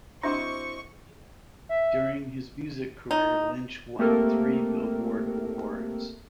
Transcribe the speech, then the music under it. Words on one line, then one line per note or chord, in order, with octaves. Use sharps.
During his music career, Lynch won three Billboard awards.
C4 D4 E4 F#4 C5 D#5 C#6 D6
E5
D#4
A3 A#3 C4 G4 A4 A#4